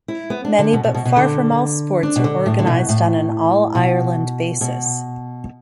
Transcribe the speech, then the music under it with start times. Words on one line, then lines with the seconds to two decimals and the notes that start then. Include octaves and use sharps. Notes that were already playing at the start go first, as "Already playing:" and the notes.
Many but far from all sports are organised on an all-Ireland basis.
0.08 E4
0.30 B3
0.45 D4
0.59 D3
0.73 B2
0.84 B2
0.95 B2
1.05 B2
1.16 D3
2.03 D4
2.16 B2
2.24 D3
2.46 A2
2.59 D3
2.67 B2
2.89 A2
3.75 B2
4.61 B2